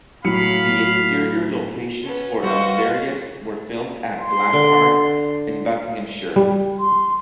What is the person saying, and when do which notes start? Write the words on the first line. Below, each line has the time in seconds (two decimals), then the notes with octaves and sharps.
The exterior locations for Alzarius were filmed at Black Park in Buckinghamshire.
0.25 A2 F#3 F5 B5 C#7
2.03 B3 C#4
2.43 G3 F#4 B4 C5 D#5 F5
4.19 C6
4.53 D3
6.36 G3
6.79 C6